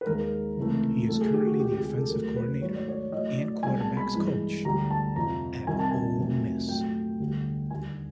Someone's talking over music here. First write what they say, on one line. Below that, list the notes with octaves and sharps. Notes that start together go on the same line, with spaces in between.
He is currently the offensive coordinator and quarterbacks coach at Ole Miss.
B4
D#2 D#3 G#3 A#4
C#2 C3 E3 A3
A2 F#3 A3 A4
G#4
G4
F#4
D2 C3 F3 G#3 G4
G4
G#4
A4
D#2 D#3 F#3 A3 A#4
B4
G#2 D#3 F#3 A3 C#5
D5
C#5
A2 F#3 A3 D#5
D5
C2 B2 G#3 G#5
A5
B5
G2 E3 G#3
D2 D3 G3 A#5
A5
F2 C3 F3 A#5
C2 C3 D#3 G#5
A5
G#5
F2 C3 D#3 F#3 A3
A#2 F#3 A3 G5
D2 D3 G3
D#2 D3 G3 G#5